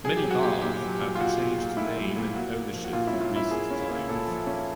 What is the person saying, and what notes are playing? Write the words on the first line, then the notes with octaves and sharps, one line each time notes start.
Many bars have changed name and ownership in recent times.
F#3 G#4
G4
F#3
F#4
A#2 G4
A#2 G4
F#3
F#3
F4
A#2 F#4
A#2
A#2
A3 E4
F#3
A#2
A#3 F#4
A#3
F3
F#4
A#2 F4
E4
C#4
F4
A#2 E4
A#3 G#4
C#4
A#3
A#2 A4
F3
C#4